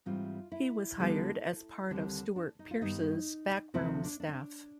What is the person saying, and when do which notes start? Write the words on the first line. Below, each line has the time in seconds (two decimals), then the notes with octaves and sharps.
He was hired as part of Stuart Pearce's backroom staff.
0.06 G#2 E3 G3 C4 F4
0.52 E4
0.98 D2 D3 G3 B3
1.90 D#2 D3 G3 C4
2.36 D4
2.59 D#4
2.71 F4
2.81 G2 D#3 G3 B3 D#4
3.74 D2 C3 F3 A3 C4 E4
4.04 D4
4.20 D4
4.28 C#4
4.34 D4